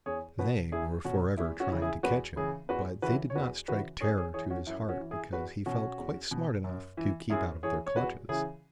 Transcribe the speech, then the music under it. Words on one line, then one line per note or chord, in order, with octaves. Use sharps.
They were forever trying to catch him, but they did not strike terror to his heart because he felt quite smart enough to keep out of their clutches.
E2 G#4 C#5
B2 F#4 B4
E2 E4 G#4
B2 C#4 F#4
E2 E4
C#4 F#4
C#3 E3
E4 G#4
E2 F#4 B4
C#3 E3 E4 G#4
E2 F#4 B4
C#3 E3 F#4 B4
C#5
E2 F#4 B4
C#3 E3 F#4 B4
F#2 G#4 C#5
G#4 C#5
E3 G#4 C#5
C#4 F#4
F#2 E4
C#4 F#4
E3
E4 G#4
E2 F#4 B4
B2 C#4 F#4
E2
B2
F#2
E3
F#2 E4 G#4
E3 G#4 C#5
C#5
E2 F#4 B4
C#3 E3 E4 G#4